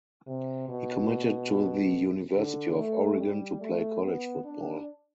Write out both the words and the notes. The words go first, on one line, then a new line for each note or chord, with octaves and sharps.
He committed to the University of Oregon to play college football.
C3
B2
D3
A3
G3
A3
B3
D4